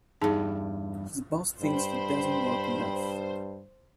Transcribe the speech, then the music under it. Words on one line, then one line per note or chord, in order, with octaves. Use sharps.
His boss thinks he doesn't work enough.
E2 G2 D#4 G#4 A5
G2 C5 G5 B5